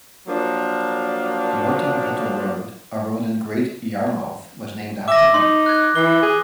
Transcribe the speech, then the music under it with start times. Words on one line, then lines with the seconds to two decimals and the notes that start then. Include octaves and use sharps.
Morton Peto Road, a road in Great Yarmouth, was named after him.
0.27 F3 F#3 A#3 D4
5.08 E5 D6 A#6
5.34 D#4 C6
5.66 F#6 G#6
5.95 E3 G7
6.22 G#4